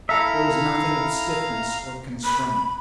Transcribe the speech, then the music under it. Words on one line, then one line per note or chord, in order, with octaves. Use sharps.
There is nothing of stiffness or constraint.
E4 A4 E5 F5 A#5
B5